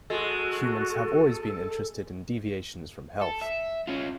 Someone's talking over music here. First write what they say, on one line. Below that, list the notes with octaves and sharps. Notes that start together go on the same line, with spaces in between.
Humans have always been interested in deviations from health.
G#3 F#4 A4
A4
E5
C#4 F4